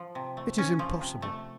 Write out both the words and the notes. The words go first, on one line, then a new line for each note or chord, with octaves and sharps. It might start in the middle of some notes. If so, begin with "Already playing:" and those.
It is impossible.
Already playing: F3
C3
A3
C#4
F3
C3
A3